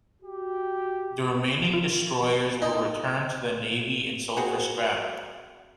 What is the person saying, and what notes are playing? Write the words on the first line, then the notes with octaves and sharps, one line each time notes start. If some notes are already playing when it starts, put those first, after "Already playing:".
The remaining destroyers were returned to the Navy and sold for scrap.
F#4 G4
F4
D#4
C4 F#4 G#4